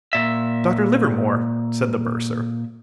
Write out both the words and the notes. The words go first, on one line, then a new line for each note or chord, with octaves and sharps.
"Dr. Livermore?" said the bursar.
A#2 E5